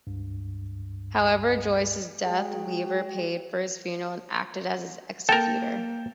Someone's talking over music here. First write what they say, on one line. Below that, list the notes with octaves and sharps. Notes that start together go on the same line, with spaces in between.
However, on Joyce's death, Weaver paid for his funeral and acted as his executor.
C#2 G2
G#3 F#4 G#4 G5
A#3 A4 A#4 G5 A5